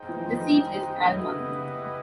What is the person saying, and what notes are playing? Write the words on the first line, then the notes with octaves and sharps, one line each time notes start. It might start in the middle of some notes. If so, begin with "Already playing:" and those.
The seat is Alma.
Already playing: D#4 G#4 C5 D#5 G5
E3
F3
D#3
D#3
D#3
D3 E4 G4 B4 D#5 F#5
D3
C#3
C#3